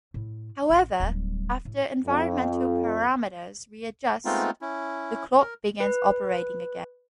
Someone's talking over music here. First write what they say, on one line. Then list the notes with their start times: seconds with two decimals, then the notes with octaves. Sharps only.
However, after environmental parameters readjust, the clock begins operating again.
0.14 A2
0.70 A1
1.00 D1 G3
1.65 A2
2.06 F2
4.25 G#3 A3 B3 C4 D#4 F4
4.61 C#4 E4
5.40 A#4
5.80 B4